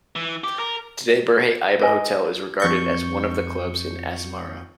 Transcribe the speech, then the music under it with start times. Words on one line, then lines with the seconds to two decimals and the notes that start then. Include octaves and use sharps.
Today Berhe Aiba hotel is regarded as one of the clubs in Asmara.
0.16 E3
0.44 G4
0.59 A#4
1.79 B4 D#5 G#5
2.60 F2 C#6 G6